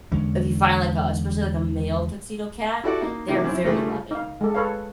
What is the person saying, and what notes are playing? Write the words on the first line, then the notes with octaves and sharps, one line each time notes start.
If you find, like, a especially like a male tuxedo cat, they're very loving
E2 D3 G#3 C#4
E4 F#4 G4 A4 D5 F#5
A#3 D#4
C3 D#3 E3 G3 A#3
F#2 C4 E4
G2 A#2 C#3 G3 A3
D#4 F5
G#3 A4
A4 B4 C#5 F5